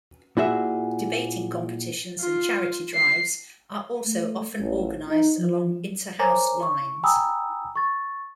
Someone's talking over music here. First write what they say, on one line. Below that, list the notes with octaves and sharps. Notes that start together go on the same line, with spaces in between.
Debating competitions and charity drives are also often organised along inter-house lines.
A#2 E4 F#4 G#4 E5
F4
C7
A3
A1
D#4
F3
A#4 C5 C#5 G#5 A#5 D6
C#6
G5 G#5 A#5 B5 D#6 E6
C#6 A6